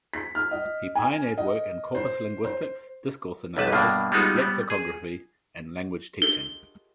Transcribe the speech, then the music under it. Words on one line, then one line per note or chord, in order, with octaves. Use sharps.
He pioneered work in corpus linguistics, discourse analysis, lexicography, and language teaching.
B6
F6
D#5
G#5
D#5
C5
C5
B1 G3 B4 A5
G2 B2 A#3 D4
G3 G#3 B3 D#4 F4 F#4
G3 B3
G#4
G7